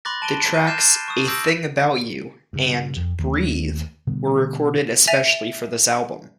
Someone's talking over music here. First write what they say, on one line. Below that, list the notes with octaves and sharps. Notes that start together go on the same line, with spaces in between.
The tracks "A Thing About You" and "Breathe" were recorded especially for this album.
B5 C6 D6 F#6 A6 A#6
A5 D7 D#7 G7
D6 F#6 G6 D#7
D6 F6 G6 A6 C7 E7
C#6 D#6
D6 E6 G6 A#6 D7 F#7
G2 C#3
F2
D#2 A3
B2 D3 G3 B3
E5 G#5 A6 A#6 D#7 F7